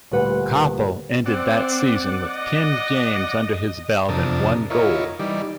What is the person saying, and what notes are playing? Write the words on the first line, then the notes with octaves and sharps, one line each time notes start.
Coppell ended that season with ten games under his belt and one goal.
D2 A#2 G3 B4 F#5
C4 D5 F#5
D#5
F2 C3 D4 A#4 A5 D#6
E4 F4 A#4 C#5 D#5
E3 G3 D#4 D5